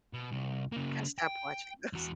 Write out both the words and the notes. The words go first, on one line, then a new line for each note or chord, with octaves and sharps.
Gotta stop watching those.
B2
C2
C#3 A#3
G5
E2 F#4